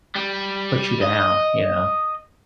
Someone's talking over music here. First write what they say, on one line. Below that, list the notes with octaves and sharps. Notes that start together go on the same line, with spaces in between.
put you down, you know?
G3
D#5